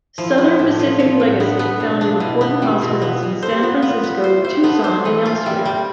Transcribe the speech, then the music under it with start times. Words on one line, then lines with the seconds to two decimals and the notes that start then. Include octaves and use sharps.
Southern Pacific legacy founded important hospitals in San Francisco, Tucson, and elsewhere.
0.18 F3 E4
0.38 B3 F4
0.58 A2 D4
0.79 F3
0.87 D4
0.98 F3 C4
1.20 A2
1.40 B3 D4
1.59 B3
1.80 B2
2.01 D4
2.10 F4
2.20 B2 E4
2.41 B3
2.61 G3 F4
2.82 B2
3.02 B3
3.23 B2
3.42 A4 C5
3.52 G4
3.62 B3 F4
3.73 F4
3.82 B3
4.04 B3
4.24 C5
4.36 E4
4.44 F4 C5
4.56 G4
4.64 B3 A4
4.84 C5
5.05 E3
5.25 F4
5.45 G3 E5
5.65 G3 G5